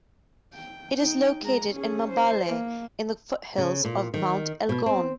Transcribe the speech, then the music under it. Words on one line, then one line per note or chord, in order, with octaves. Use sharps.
It is located in Mbale in the foothills of Mount Elgon.
G5
D#4 G5
G#3 A#5
C#4 G#4
C5
A#3
C#3
A#2
D#3
B2
C4